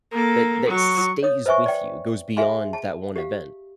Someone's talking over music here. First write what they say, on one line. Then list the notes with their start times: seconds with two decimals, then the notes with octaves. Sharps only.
That that stays with you, goes beyond that one event,
0.11 A#3 A4
0.67 F#3 C#6
1.23 C#5 D#6
1.46 B4 C5 E5 G#5 C#6
1.66 D5 G5
2.37 G#4 E5 F5 G#5 C6
2.73 A5
3.16 G4 F5